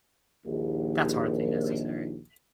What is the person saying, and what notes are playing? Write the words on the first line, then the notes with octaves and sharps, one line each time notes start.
That's hardly necessary.
A#1 D#2